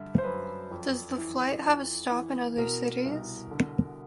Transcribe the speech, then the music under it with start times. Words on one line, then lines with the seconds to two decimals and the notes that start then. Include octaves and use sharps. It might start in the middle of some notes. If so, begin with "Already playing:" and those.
Does the flight have a stop in other cities?
Already playing: G2 D3 E5
0.18 C5
0.24 F#2 B4
0.71 F2
1.17 E3
1.65 F2
2.11 E3
2.58 B2 A#4
3.05 C2
3.51 D3